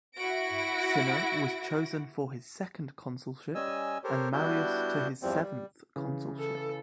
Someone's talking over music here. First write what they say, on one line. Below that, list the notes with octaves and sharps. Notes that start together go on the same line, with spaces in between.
Cinna was chosen for his second consulship and Marius to his seventh consulship.
E4 F#4 A#6 D7
G3 C#4 D#5 G#5 E6
G4 A4 A#4 C5 C#5
G3 B3 D4 E4 F#4 G6
E2 G2 E3 F3 G3 C4
G3
C#3 E3
A4